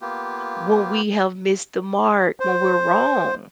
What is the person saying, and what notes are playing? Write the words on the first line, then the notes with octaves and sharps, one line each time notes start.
when we have missed the mark, when we're wrong.
A#3 B3 F4 G4
C5